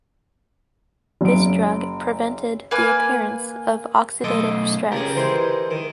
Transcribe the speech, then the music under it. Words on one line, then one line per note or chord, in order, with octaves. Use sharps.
This drug prevented the appearance of oxidative stress.
F#1 D7
A#3 B4 G#5
B1 A3 A4 D#5 C6 D6
C#2 C#3 C#4 G4 A#4
E3 G#3 C5
D#3